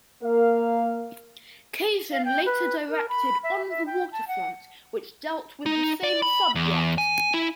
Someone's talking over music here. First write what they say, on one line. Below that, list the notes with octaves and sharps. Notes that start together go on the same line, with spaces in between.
Kazan later directed "On the Waterfront", which dealt with the same subject.
A#3 A#4 F5
F5
G5
B4
A#4
B5
E5
E5
G5
A5
F#5
D#4
D5
B5
E2
G#5
E4